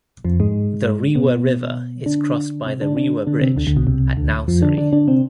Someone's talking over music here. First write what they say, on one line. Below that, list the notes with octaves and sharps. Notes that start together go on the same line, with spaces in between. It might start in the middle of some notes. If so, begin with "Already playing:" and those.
The Rewa River is crossed by the Rewa Bridge at Nausori.
F2 F3
G#2 G#3
B2 B3
D3 D4
C3 C4
D3 D4
D3 D4
D3 D4
C3 C4
D2 D3
D2 D3
B1 B2
C2 C3
D2 D3
F2 F3
D3 D4
D3 D4
D3 D4
C3 C4